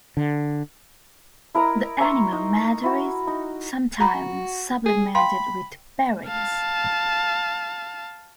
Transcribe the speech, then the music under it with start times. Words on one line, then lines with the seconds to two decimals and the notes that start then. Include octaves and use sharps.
The animal matter is sometimes supplemented with berries.
0.17 D3
1.55 E4 A#4 D#5 A#5
2.00 E5 A#5 C6 C#6
2.32 D#4
2.83 E4 F#4
3.27 D#4
4.00 F#4 G#4 A#5 B5
4.86 G#4
5.15 F5 G5 B5 C6
6.27 F5 A5